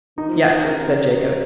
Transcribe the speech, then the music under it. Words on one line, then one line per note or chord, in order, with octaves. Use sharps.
"Yes," said Jacob.
D#3 D#4
F3
D#3
D#3
C#3 A#4
C3
C#3
A#4